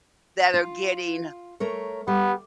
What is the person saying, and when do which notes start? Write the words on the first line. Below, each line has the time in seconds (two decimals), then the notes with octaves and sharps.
that are getting
0.54 F4
1.60 A3 A#4 C#5
2.08 G3 B3